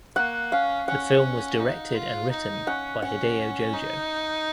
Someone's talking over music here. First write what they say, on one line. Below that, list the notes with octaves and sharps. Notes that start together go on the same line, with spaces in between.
The film was directed and written by Hideo Jojo.
A#3 F#5
C#4 F5
C#4 F#5
D#4
F4
D#4
C#4 F#5
C#4 F#5
D#4